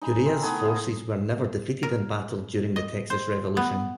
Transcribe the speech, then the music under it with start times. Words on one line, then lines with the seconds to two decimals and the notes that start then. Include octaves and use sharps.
Urrea's forces were never defeated in battle during the Texas Revolution.
0.02 D#4 G#5 B5
0.26 C4 A#4
0.42 A3 B3 E4 G#4
0.62 G#4 C5 F5 A#5
1.83 A#4
2.76 D#5
3.10 C5
3.57 B3